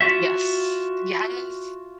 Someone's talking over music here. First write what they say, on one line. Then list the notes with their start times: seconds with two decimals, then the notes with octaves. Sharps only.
Yes. Yes!
0.01 F4 F#4 E5